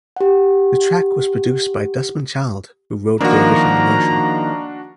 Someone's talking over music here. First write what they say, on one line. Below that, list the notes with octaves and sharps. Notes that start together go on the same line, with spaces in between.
The track was produced by Desmond Child who wrote the original version.
G4 F#5
D#3 F3 A#3 D4 F#4 A#5